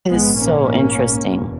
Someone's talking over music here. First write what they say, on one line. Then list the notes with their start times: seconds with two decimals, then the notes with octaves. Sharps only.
It is so interesting.
0.09 A#1 G#2 G#3 B3
0.38 A#3 C#4
1.23 F#1 E2 B2